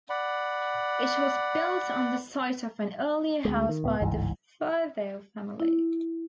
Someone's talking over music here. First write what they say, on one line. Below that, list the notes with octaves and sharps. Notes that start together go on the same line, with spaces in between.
It was built on the site of an earlier house by the Furtho family.
D5 F#5 B5
D2 G#3
D#3
C#2 A2 B3
G1 C#2 G#2 E3
E4